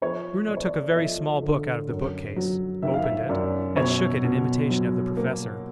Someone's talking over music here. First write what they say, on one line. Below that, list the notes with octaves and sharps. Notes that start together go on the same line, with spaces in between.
Bruno took a very small book out of the bookcase, opened it, and shook it in imitation of the Professor.
F3 C#5
A3 D5
C#5
D5
E5
F3 D#5
D3
F#2
F#3
D#3 E5
F5
E5
F#2 D5
B2 C#5
B2
F#3
A#3